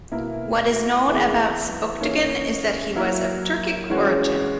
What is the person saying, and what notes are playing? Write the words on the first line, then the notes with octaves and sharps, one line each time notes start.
What is known about Sebuktigin is that he was of Turkic origin.
B2 A#3 E4 A#4
E3 B3 E4 G#4
E3 A#3 C#4
F#3 A#3 E4 A#4
E3 G#3 C#4 F#4